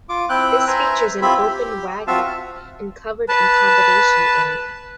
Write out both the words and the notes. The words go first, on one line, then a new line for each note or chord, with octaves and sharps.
This features an open wagon and covered accommodation area.
F4 D6
C4 E4 G5 F#6
B4 C5 E5 G#5 A#5
C4 E4 F4 G4 E5 B5
G4
C4 F4 F#4 E5 F5 A5
B4 A5